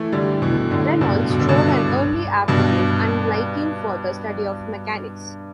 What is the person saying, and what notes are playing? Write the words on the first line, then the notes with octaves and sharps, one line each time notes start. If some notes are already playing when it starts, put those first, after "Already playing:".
Reynolds showed an early aptitude and liking for the study of mechanics.
Already playing: E3 A3
D3 G3
B2 E3
A2 D3
G2 B2
B2
D3
G2 B2
G2 B2